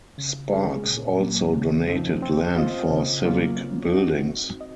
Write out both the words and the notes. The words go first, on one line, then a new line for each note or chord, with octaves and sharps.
Sparks also donated land for civic buildings.
C#3
G#3 C#4 G#4
A#2
F#3 A#3
C#3
F3 C4 D#4
C4
F4 C5 D#5
C#3
F#3 A#3 C#4 F4
C4
D#4 F#4
C4
D#5